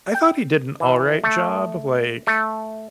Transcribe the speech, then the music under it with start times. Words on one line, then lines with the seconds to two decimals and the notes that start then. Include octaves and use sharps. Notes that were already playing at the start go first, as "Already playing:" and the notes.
I thought he did an all right job. Like,
0.14 G5
0.80 E3
1.24 A3
2.27 A3